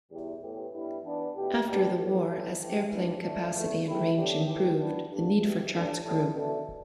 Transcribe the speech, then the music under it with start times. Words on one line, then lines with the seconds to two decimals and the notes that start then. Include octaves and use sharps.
After the war, as airplane capacity and range improved, the need for charts grew.
0.11 E2 B2 G3 E4 G4
0.42 A2 E3 B3 G4
0.72 G2 G3 B3 E4
1.04 E3 B3 D4
1.36 B2 A3 G4
1.67 B2 B3 D4 G4
1.97 A2 G3 B3 G4
2.28 A2 E3 G3 E4 A4
2.60 E3 A3 G4
2.90 E3 G3 D4 G4
3.21 D3 A3 D4
3.53 E2 B2 A3
3.85 E2 E3 A3 E4 G4
4.15 A2 E3 B3 D4 G4
4.46 E3 A3 G4
4.77 E3 B3 D4
5.09 G2 D3 G3 D4
5.41 B2 A3 G4
5.72 A2 G3 D4
6.02 A2 G3 E4 A4
6.33 B2 A3 D4 A4